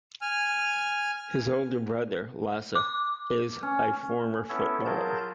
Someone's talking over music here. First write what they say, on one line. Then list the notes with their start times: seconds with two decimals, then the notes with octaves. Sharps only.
His older brother, Lasse, is a former footballer.
0.22 G#5 F6
2.75 D6
3.63 C#4
4.49 B3 C#4 E4 A4 C#5
4.86 F#3 F4 G#4 A#4 A5 G6